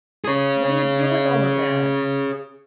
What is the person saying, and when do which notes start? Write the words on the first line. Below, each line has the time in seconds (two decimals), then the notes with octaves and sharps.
What do you do with all of that?
0.25 G#4 C#5